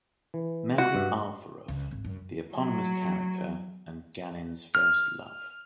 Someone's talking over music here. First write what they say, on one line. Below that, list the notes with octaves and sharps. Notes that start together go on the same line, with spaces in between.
Mary Alfyorov - The eponymous character and Ganin's first love.
E3
F4 F#4
G2 E5
C#2
G#1
F#2
F#3
F6